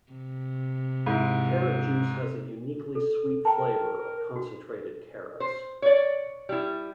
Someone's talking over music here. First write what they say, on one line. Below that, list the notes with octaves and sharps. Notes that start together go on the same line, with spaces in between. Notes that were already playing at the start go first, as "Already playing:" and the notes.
Carrot juice has a uniquely sweet flavour of concentrated carrots.
C3
G#2 E4
A4
A#4 G5 A5
F#4
C5
C#5 D5
G3 E4